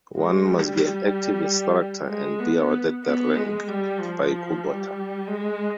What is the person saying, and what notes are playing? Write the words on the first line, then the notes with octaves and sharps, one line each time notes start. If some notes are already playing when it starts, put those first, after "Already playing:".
One must be an active instructor and be awarded the rank by Kubota.
G#3
G3
G#3
B3
B3
G#3
G3
F3
G3
G#3